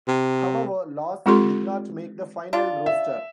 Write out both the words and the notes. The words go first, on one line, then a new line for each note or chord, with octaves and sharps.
However, Lawson did not make the final roster.
C3
G#3 C4 F4 G4 A4 C6
D4 F4
E5